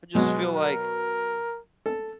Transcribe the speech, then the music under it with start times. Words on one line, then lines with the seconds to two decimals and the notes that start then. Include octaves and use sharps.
I just feel like,
0.15 B2 F#3 G#3
0.56 A#4
1.86 A4